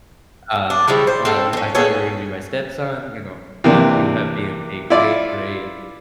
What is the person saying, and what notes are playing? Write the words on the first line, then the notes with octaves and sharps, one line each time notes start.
Um, uh, "You I thought you were gonna be my stepson," you know, uh, "you have been a great, great
D4
C#3 F3 G3 E4
C5
C4 A4
C4 C#4
B3 G#4 A4 C#5
C3 E3 A#3 D4
E4 F4 D5